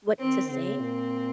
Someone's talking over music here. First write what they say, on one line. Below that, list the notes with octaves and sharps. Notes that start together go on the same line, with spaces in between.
what to say,
D#3 C4
C#3 C4
A#2